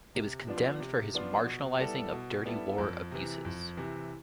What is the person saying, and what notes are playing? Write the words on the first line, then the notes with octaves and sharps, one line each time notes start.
It was condemned for his marginalizing of Dirty War abuses.
C3
F3 B3 D4 F4
C3
F3 B3 D4 F4
B2
G3 B3 E4 A4
B2
G3 B3 E4 A4
F2
C3 E3
F2
C3 E3